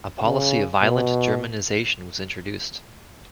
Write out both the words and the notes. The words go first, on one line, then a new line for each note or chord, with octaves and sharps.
A policy of violent Germanization was introduced.
C#3
B2